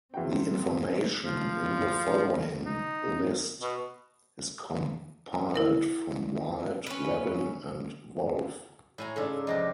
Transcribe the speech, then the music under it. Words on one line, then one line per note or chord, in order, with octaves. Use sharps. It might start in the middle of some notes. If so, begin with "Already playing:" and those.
The information in the following list is compiled from Wild, Levin, and Wolff.
E2 C4 F#4 G5
F3
D#4
B2
E4 A#4
C#4 B4
A2 G#5 A#5
G#2 C#3 D4 A4
F2 C3 G4 D#5